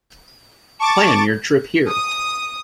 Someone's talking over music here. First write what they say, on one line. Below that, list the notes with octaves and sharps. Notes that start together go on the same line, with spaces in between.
Plan your trip here.
A5 C#6 D6 A6
D#6